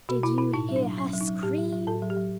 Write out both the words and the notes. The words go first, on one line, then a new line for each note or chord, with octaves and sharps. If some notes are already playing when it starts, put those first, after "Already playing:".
Did you hear her scream?
B2 F#4
B2 E4
B2 E4
A2 D#4
F#3
D4
F#3
F#3 C#4
F#3
D#4
F#3
A2 G4
F#3
F#3
A2 A4
F#3
G4
F#3